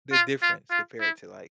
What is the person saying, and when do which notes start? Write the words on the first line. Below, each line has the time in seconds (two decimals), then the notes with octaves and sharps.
the difference compared to like
0.13 F4
0.42 F4
0.71 F4
1.01 E4